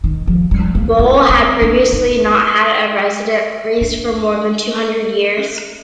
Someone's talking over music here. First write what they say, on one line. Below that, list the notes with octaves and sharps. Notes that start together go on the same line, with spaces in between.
Bole had previously not had a resident priest for more than two hundred years.
D#3
F3
G3
A#3
C4
C4
D4
D#4
D4